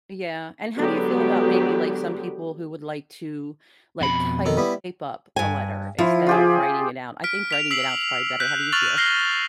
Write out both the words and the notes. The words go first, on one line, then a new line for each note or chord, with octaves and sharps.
Yeah, and how do you feel about maybe, like, some people who would like to, like, type up a letter instead of writing it out? I think writing it out's probably better. How do you feel?
D3 F#3 G#3 B3 G4
F2 B2 B5
D#3 A4
G3 B3 E4
G2 G#5
F3 E4 F4
F4 G4 G#4
F6 B6 D7
B6 F7
E6 B6 C7 F#7
F#6 G6 B6
C#6 F6 F#6 A6 F7 F#7
F6 A#6 C7 G7